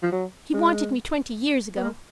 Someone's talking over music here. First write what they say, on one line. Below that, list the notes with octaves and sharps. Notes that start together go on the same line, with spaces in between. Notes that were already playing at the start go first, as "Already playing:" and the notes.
He wanted me twenty years ago.
F3
F#3
G#3
B3
A#3